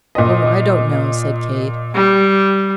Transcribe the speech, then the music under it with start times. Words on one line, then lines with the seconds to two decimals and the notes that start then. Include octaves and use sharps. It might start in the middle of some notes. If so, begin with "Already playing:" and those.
"Oh, I don't know," said Kate.
0.15 A#2 D#5
1.95 G3